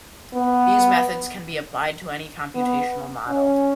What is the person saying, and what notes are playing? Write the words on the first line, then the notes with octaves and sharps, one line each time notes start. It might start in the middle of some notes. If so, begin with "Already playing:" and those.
These methods can be applied to any computational model.
B3
B3
C#4